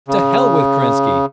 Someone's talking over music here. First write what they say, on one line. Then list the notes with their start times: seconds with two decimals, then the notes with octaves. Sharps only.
To hell with Kerensky!
0.08 C#3